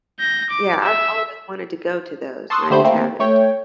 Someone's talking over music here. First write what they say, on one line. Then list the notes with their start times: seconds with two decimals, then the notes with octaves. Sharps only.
Yeah, I've always wanted to go to those, and I just haven't.
0.19 G6 A#6
0.50 D6
0.83 E5 E6
2.50 A5 C6 C#6 D#6 E6 F#6
2.70 D3 A3 G4 C5 B5 G6
2.85 A3 A#3 C4
3.20 A3 C#5 G5